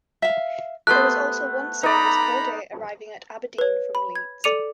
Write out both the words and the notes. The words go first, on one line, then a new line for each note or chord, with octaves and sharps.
There was also one service per day arriving at Aberdeen from Leeds.
E5 F5
A3 B3 G4 B4 C5 F#6
D#4 D5 A#5 B5
B4 C#5
B5
G#6
A4 D5 D6 C#7 D#7 F7